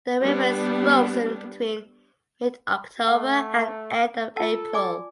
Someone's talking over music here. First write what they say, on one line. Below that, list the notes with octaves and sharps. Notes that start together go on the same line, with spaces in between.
The river is frozen between mid October and end of April.
G3 B3 D4 G4
A3 F#5
F4 A4 A5
D5 G#5 D6